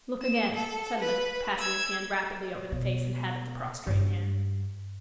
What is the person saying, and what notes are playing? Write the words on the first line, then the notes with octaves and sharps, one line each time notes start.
"Look again," said Link, passing his hand rapidly over the face and head of the prostrate man.
E7
A4
B4
E6 G#6
B2
G2 D4